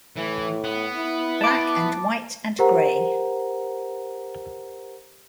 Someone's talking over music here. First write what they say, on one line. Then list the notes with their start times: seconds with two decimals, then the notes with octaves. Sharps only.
"Black and White and Grey".
0.16 A2 E3
0.64 B3
0.96 E4
1.41 A5 D6
2.59 G4 A#4 C5 F#5 A#5